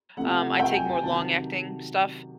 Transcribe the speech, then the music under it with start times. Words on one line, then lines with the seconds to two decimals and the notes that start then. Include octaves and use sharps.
um, I take more long-acting stuff,
0.17 C3 F3 A3 F#5
0.60 G5
0.75 G#5
0.89 G#5
1.03 C3 D#3 F#3 A5